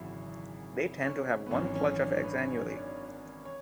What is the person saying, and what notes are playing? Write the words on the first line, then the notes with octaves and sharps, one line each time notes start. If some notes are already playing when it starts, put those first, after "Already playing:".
They tend to have one clutch of eggs annually.
Already playing: G#1 F#2 C#3 E3 E4 F#4
C#4
B3
G#1 F#2 E3 C#4
C#4
D4
B4
C#5
D5
C#5